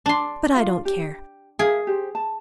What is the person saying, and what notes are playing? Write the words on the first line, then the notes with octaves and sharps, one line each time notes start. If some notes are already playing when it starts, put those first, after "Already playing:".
But I don't care.
D4 C6
F4 F5
G4
G#4 A#4 E5 F5
G4 C5
A5